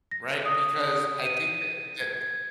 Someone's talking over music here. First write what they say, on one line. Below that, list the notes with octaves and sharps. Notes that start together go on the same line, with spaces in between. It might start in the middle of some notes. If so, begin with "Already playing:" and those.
Right? Because I think that that
A#6
D#6
D#7
G#6